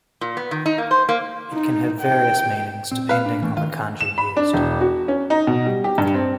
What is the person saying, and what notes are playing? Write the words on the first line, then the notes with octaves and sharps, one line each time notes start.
It can have various meanings depending on the Kanji used.
A#2
B3
D#3
D#4
A#3
C5
A#3
D#4
G5
A#2 C4
B4 F5
D4
E3 A3 A#3
D#3 F4
E7
B5
D4
E1
F#4
C#4
D#4
B2
G3
G4
G2
C4